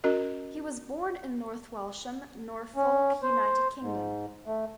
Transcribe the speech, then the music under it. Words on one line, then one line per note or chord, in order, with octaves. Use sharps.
He was born in North Walsham, Norfolk, United Kingdom.
C#4 F#4 A#4 D#5
C#4
C5
G#2
A3